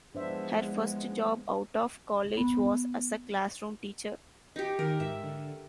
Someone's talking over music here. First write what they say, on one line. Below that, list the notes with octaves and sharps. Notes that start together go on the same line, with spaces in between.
Her first job out of college was as a classroom teacher.
E3 F3 G#3 B3 D4 C5 E5
B3
D#4 G4
D#3 D#4 A#4
G#2 E5
D3